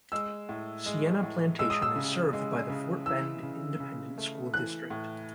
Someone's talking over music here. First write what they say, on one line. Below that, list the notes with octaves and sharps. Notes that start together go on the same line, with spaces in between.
Sienna Plantation is served by the Fort Bend Independent School District.
G#3 E6
A2
G#3
A2
G#3 E6
D#6
E6
C#3
G#3
C#3
E3 E6
C#3
C#3
A3
E3 F#6
A2